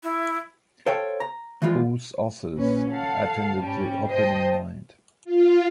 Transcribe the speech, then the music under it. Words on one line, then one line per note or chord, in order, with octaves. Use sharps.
Both authors attended the opening night.
E4
A4 C5 C#5 F5 G5 A5
A#5
E3 F3 G3 G#3 F4
A#1 A#2 C#4 B4
A4 F5 F#5 A5
G#2 G3 C#4
C5 D#5 G5 A5
F4